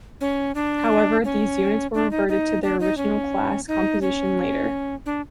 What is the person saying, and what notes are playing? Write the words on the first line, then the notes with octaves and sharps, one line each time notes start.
However these units were reverted to their original class composition later.
C#4
D4
C#4
D4
D#4
D#4
D4
D#4
C#4
D#4
C#4
D4